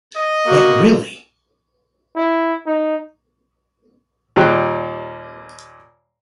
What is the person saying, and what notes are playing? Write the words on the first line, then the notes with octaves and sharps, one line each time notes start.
But really?
D#5
A#3 F#4
E4
D#4
D#2 A#2 G3 C5 G5 F#6